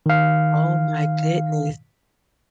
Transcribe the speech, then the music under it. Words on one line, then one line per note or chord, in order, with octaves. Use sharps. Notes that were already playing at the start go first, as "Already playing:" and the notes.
Oh my goodness.
D#3 F5